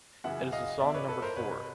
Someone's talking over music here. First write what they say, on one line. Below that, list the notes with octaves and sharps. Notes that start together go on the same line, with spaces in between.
It is the song number four.
F#2 C#3 E3 E5 F#5
D#5 F5
E2 B2 D5 E5
B4 C#5
A4 B4
A#4 C5
C2 B2 B4 C#5